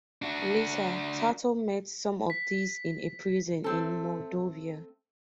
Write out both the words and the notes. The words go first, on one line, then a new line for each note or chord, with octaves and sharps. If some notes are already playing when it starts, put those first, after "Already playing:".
Later, Tarto met some of these in a prison in Mordovia.
D4 F#4
B6
A3 C4 A4